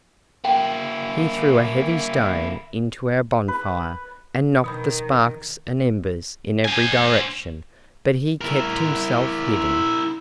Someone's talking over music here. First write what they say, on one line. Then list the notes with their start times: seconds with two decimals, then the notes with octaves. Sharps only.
He threw a heavy stone into our bonfire and knocked the sparks and embers in every direction, but he kept himself hidden.
0.45 A#3 E4 G5
3.48 B4
4.64 B2 D#3 B5 G6
6.65 C5 G#5
8.41 E4 A#4